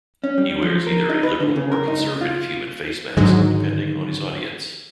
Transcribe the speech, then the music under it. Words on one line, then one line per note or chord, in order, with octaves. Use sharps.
He wears either a "liberal" or "conservative" human face mask, depending on his audience.
C#4
G3
F3
A#4
D#4
B4
D3
C#3
A#4
D#4
C#2
F4
G#2 D3 D#3 F#3 G#3